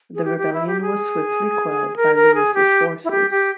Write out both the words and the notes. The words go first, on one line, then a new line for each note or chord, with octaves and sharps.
The rebellion was swiftly quelled by Louis' forces.
G#4
G4
G4
E4
G4
G#4
A#4
A#4
G#4
G4
E4
G4
G4